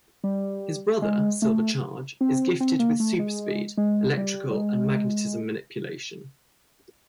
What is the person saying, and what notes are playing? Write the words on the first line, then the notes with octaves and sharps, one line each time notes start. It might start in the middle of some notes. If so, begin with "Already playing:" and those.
His brother, Silver Charge, is gifted with super speed, electrical and magnetism manipulation.
G3
G#3
A3
C4
C4
A#3
A3
G#3
G#3
G3
G3
G#3